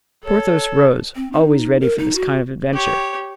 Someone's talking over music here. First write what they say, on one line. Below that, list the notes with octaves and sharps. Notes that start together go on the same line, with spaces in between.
Porthos rose, always ready for this kind of adventure.
A4 C#5
C4
D#4
A#4
D#4
F#4
G4 C#5